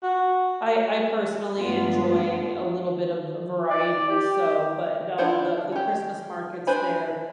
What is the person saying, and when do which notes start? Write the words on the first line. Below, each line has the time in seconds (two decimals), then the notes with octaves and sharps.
I I, personally, enjoy a little bit of v variety, so but no, the the Christmas markets there
0.03 F#4
1.57 G2 G#3 A3 B3 D4 F4
3.70 D5
4.10 G4
5.18 D4 E4 F4 C5 F#5
5.72 C#4 G4
6.67 D4 B4 C5 G#5 B5